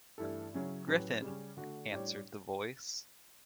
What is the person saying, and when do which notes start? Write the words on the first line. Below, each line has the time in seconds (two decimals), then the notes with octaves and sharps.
"Griffin," answered the Voice.
0.18 G2 E3 A3 E4 A4
0.53 C#3 F#3 C#4 E4
0.88 A2 F#3 C#4 G4 B4
1.22 C#3 G3 C#4
1.57 D3 A3 D4 F#4
1.91 A2 G3 D4 G4 C#5